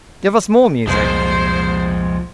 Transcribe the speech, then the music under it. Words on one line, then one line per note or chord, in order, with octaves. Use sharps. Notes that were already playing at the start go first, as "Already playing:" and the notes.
Give us more music.
C2 F2 A#2 F3 G#3 C5